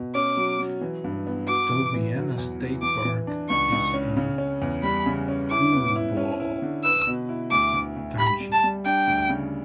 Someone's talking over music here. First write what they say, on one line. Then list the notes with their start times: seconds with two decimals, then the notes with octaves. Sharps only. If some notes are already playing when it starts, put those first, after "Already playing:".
Tobyhanna State Park is in Coolbaugh Township.
Already playing: B2
0.15 C#4 D6
0.37 F#3
0.59 F#3
0.81 E3
1.04 G2
1.27 B3
1.48 F#4 D6
1.71 E3
1.94 E3
2.16 F#3
2.38 E2
2.60 F#3
2.82 E3 D6
3.05 E3
3.27 D4
3.49 C#2 C#6
3.72 C#2
3.94 C#4
4.17 C#3
4.38 C#4
4.62 E2
4.83 G3 B5
5.06 C#3
5.28 C#4
5.51 E4 D6
5.73 B3
5.96 E4
6.17 C#4
6.40 E4
6.62 D3
6.84 B4 E6
7.07 B2
7.29 E4
7.51 D2 D6
7.74 D2
7.97 D2
8.18 G4 B5
8.40 G3
8.52 A5
8.64 G3
8.85 D4 G5
9.07 D2
9.29 C#3